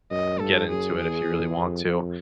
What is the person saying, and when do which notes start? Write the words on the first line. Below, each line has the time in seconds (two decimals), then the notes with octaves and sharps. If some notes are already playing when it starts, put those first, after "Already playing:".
get into it if you really want to.
0.11 F#2 D#5
0.40 G2 A4
0.69 F#2 G#4
0.98 E2 G#4
1.56 F2
1.85 F2